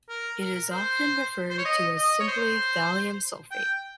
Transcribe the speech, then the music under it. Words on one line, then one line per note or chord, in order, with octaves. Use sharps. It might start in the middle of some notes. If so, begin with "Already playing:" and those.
It is often referred to as simply thallium sulfate.
A#4
A#4
C5
C5
C#5
D#5
D#5
C#5
C5
G5